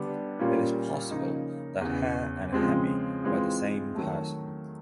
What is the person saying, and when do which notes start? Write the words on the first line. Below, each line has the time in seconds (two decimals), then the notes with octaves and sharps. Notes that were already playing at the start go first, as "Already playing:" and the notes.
It is possible that Hare and Hemi were the same person.
Already playing: D3 G3 B3 D4
0.39 A#2 G3 A#3 C#4 F4
1.10 C#3 F3 A#3 D#4
1.81 E2 C#3 E3
2.52 C#3 F3 G#3 C4
3.24 E3 G#3 C4 F4
3.95 D#3 F#3 A3